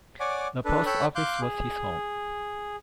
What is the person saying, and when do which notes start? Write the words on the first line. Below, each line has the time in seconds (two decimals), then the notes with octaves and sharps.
The post office was his home.
0.20 C#5 D5 F#5 G#5 D6
0.65 D4 A4 B4
0.86 A4 C#5 G5 B5 E6 F#6
1.15 F5 C6 D6 F#6 G6
1.41 G#4